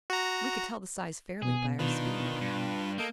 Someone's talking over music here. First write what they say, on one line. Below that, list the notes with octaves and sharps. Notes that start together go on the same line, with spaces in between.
We could tell the size fairly by our speed.
F#4 A#5
B2 B3 G#4
D#3 D4 F4 B4
G2
A#3 A4 D#5 G6